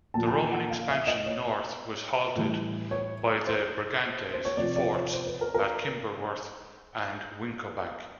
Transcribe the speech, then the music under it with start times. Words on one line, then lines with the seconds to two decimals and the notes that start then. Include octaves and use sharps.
The Roman expansion north was halted by the Brigantes forts at Kimberworth and Wincobank.
0.14 A#2 F3 A5
0.27 A5
0.33 G#5
0.52 F#5
0.70 F5
0.89 E5
1.07 D#5
1.26 C#5
2.36 A2 E3 G3
2.91 C#5
3.47 C5
4.34 C5
4.45 C#5
4.57 C3 F3 D5
4.76 D5
4.95 C#5
5.13 C5
5.27 B4
5.41 A#4
5.54 A#4